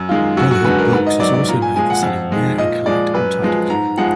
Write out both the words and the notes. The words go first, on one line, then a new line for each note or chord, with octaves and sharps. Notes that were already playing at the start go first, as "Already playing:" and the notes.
Brotherhood Books is also known for selling rare and collectible titles.
Already playing: F#2
D#3 G#3 F4
F#2 F#4
F#4
D3 G#3 B4
A#4
G#2 B4
D#5
F#3 D5
D5
A#2 A#5
G#5
F3 G#3 G#5
F#5
F2
D#3 G#3
A#2 D#5
F3 G#3 D5
F#2 B4
F3 G#3
G#2 A#5
F3 G#3 F#5